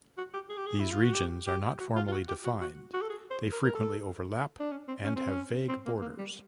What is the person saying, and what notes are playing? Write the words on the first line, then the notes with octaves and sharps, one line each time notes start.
These regions are not formally defined; they frequently overlap and have vague borders.
F#4
G4
G#4
G4
G#4
E4
F4
F#4
G4
G4
F#4
F4
F4
F#4
G4
F#4
F#4
F#4
A4
G#4
C5
A#4
A#4
A4
D4
C#4
C4
C#4
C4
C#4
C4
A#3
A#3
G3